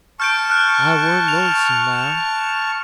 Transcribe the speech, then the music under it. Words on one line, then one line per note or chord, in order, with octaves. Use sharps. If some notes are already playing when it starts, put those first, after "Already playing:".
I warn't lonesome now.
A5 C#6 F6 G6 D7
F6 F#6
F7